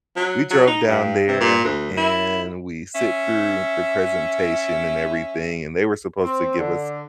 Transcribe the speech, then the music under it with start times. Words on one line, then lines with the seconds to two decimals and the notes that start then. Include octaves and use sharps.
we drove down there, and we sit through the presentation and everything, and they were supposed to give us
0.17 F#3
0.51 F#3
0.67 D#4
0.88 G2
1.28 C3
1.40 A#2
1.64 D2
1.97 E4
2.94 C#4 E5
6.24 C4
6.58 D3